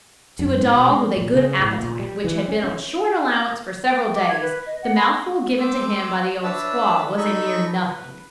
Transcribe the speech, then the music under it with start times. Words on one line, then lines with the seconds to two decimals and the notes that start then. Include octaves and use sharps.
To a dog with a good appetite which had been on short allowance for several days, the mouthful given to him by the old squaw was a mere nothing.
0.39 F#2
0.58 G#2
0.75 B2
0.88 G#3
1.16 A#2
1.33 C#3
1.60 A2
1.79 A#2
1.99 G3
2.24 E3
2.48 C#4
2.64 C#4
3.84 G5
4.15 D6
4.29 G#6
4.41 B4
4.66 D#5
4.83 F#5
4.96 B5
5.59 C4 D6 E6
6.43 D4 B4 C#5 E5 A5 E6
7.17 D#4 A4 D#5 B5 C#6
7.87 B4